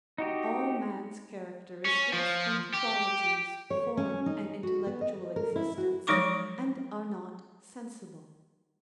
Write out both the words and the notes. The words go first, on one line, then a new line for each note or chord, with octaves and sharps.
All man's characteristics and qualities form an intellectual existence and are not sensible.
D#4 F#4 G4
C#4
F3
G4
C#5
C#4
D#4
F#4
B3
D#5
A#4
E4
F#4
F3 F#3 G#3 D#4 C#6 D6